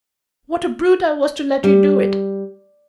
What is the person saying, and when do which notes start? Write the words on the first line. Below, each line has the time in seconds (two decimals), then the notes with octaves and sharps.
What a brute I was to let you do it!
1.64 G3